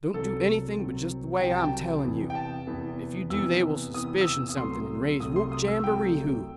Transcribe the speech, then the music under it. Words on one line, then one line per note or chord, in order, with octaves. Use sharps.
Don't do anything but just the way I am telling you, if you do they will suspicion something and raise whoop-jamboreehoo.
C2 C3 F#3 C4 A4
C2 C3 F#3 C4
C2 C3 F#3 C4 G5
A5
G5
E2 C3 E3 B3
G5
A5
E2 C3 E3 B3
E2 C3 E3 B3 E6
E2 C3 E3 B3 D#6
E6
D#6
D#6
C2 C3 F#3 A3 C6
C2 C3 F#3 A3 D#6
C6
D#6
E6
C2 C3 F#3 A3 G5